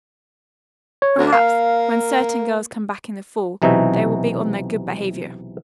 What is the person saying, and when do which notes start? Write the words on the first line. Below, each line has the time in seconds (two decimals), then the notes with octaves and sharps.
"Perhaps, when certain girls come back in the fall they will be on their good behavior."
1.02 C#5
1.18 D2
1.33 A#3 F5
3.62 B1 C3 E3 D#4 F#4 E5